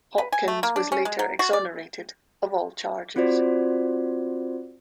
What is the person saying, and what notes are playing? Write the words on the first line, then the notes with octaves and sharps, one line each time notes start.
Hopkins was later exonerated of all charges.
B4
G#5
A3
A#3
D4
C#4
G#3
F#3
F#4
D5
C4 F4 F#4 C5 D5